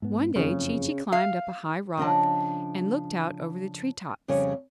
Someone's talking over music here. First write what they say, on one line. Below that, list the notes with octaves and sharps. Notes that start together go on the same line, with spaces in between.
One day Chee-Chee climbed up a high rock and looked out over the tree-tops.
G#2 B3
F#1 F2 C#3
F5
C#3 F3 D4 D#5 A5
F2 C#3 G3 C#5 G#5